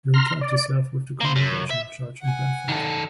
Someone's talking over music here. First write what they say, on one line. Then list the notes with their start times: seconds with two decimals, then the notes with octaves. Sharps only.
He returned to serve with the Congregational Church in Brantford.
0.14 A#5 C6 F6
0.41 D5
1.21 A#3 C5
1.36 F#2
1.70 E5
2.21 F#5 G#5
2.69 D#3 A4